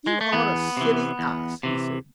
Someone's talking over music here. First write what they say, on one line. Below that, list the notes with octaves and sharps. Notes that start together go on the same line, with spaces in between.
"You are a silly ass," he said.
G#3
A3
E2 B3
C3 E3
E2
C3 E3